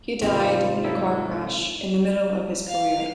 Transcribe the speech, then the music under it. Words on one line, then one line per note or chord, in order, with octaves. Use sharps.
He died in a car crash in the middle of his career.
G#2 C3 D#3 A#3 C4 F4
D#4 E4 A4
F5